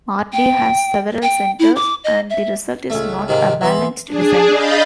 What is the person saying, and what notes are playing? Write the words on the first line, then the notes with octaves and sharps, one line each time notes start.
Mardi has several centers, and the result is not a balanced design.
G5
G5
E4
D6
D#5
E5
C#2 A3
G#2 C3 D#3 A#3
E3 B3 C6
D4 G#4
D#5 F5 B5 G6 A6